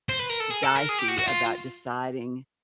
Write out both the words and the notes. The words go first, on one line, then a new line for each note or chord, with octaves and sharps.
dicey about deciding
C5
B4
A#4
A4
G#4
A4
A#4
G#4
G4
F#4
F#4
F4